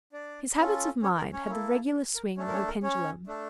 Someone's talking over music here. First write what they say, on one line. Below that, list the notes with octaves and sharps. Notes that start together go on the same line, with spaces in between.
His habits of mind had the regular swing of a pendulum.
D4 D5
C#4 F4 A4
C#4 C#5
A#4
C#4 C#5
A#3 E4 A4
A#4
A3 C#4 D4 A4 C#5
A#4
C#4 C#5
A#4
C#4 C#5
A3 D4 A4